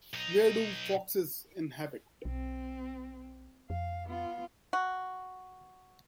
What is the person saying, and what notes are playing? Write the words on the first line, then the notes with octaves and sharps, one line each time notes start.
Where do foxes inhabit?
B1 D#4
B1 C4
F2 F5
B3 F4
F#4